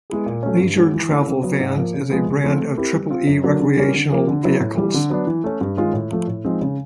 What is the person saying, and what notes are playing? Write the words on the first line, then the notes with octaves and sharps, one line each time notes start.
Leisure Travel Vans is a brand of Triple E Recreational Vehicles.
G#3 B3 E4 G#4
A#2
F#3 A3 C#4
G2
D#3 G#3 C#4 F#4
E3
A3 C#4 E4
C#3
F#3 B3
G#2
F3 A#3
C#3
F3 G#3 B3
C3
F3 A3 C4
A3
C4 E4 G4 A#4
G3
C4 F4
F#2
D3 F#3 A#3 D4
D3
G3 A#3 C#4
D3
F3 A#3
D3
F#3 B3 E4
A2
E3 G3
D3
F#3 B3 D4
E3
A3 C#4
G2
D#3 G#3 C#4 F4
A2
F3 A3
A2
F3 G#3 C4 D#4
C#3